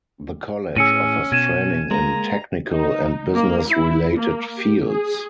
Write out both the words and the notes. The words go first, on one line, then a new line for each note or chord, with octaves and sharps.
The college offers training in technical and business-related fields.
A2 C#4 G#4 E6 C#7 D#7
B2 G#6 D#7 E7
G#3 A#3 A#5
D#4
A#3
E4
A#3
G4
G#4